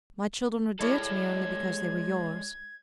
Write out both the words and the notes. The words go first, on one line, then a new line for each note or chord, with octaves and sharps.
My children were dear to me only because they were yours.
G3 G#3 E4 A4 C#5 G#6